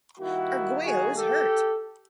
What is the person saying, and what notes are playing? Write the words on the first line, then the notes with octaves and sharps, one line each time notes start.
Arguello is hurt!!
D#3 G3 A#3 E4 F#4
F#4 G#4
G4 A4